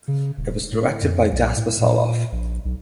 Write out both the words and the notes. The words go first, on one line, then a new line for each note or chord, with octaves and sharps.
It was directed by Jasper Soloff.
C#3
D#1
A2
F2
B1
A2
A#2
A#1
B1